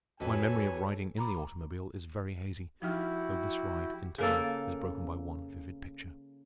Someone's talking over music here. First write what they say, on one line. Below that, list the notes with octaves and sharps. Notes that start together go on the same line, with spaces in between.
My memory of riding in the automobile is very hazy, though this ride, in turn, is broken by one vivid picture.
F2 F#4 A4 B4 C#5 D#5 G#5
A#5 B5 D6
F3 D#4 E4 F#4 G4 F6
C#3 A#3 A4